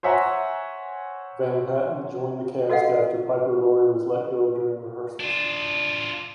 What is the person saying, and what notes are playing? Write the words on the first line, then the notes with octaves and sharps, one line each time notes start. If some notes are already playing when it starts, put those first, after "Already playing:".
Van Patten joined the cast after Piper Laurie was let go during rehearsals.
C5 C#5 E5 F#5 G#5 A#5
F#4 A4 D#5 F5 F#5
D4 F4